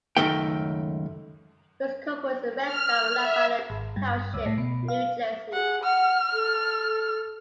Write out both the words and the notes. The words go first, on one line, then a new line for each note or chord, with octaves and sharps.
Piscopo is a resident of Lebanon Township, New Jersey.
C#2 F#2 D#3 A3 G5
F6
E5
G#1
G2
C#2
A2
B2
F5
G#4 F#5
F#5 F6
A4